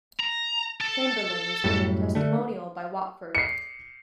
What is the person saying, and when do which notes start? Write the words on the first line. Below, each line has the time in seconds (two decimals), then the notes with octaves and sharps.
Chamberlain was given a testimonial by Watford.
0.20 A#5
0.81 A4
1.64 F#2 A2 G3
2.15 D3 A3
3.35 C7 C#7